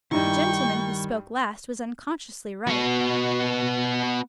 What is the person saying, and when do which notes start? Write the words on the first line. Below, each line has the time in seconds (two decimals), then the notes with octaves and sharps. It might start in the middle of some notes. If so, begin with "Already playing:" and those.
The gentleman who spoke last was unconsciously right.
0.11 G2 D#3 G3 D#4 E4 G5 C#6
2.67 B3 F#4